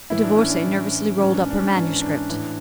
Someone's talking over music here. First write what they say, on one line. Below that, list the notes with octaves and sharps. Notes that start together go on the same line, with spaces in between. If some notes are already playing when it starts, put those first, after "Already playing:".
The Divorcee nervously rolled up her manuscript.
A2 E3 E4
D4
C#4
D4
A2 E3
G#2 E3 C#4
D4
C#4
D4
C#4
G#2 E3 D4
D4
A2 E3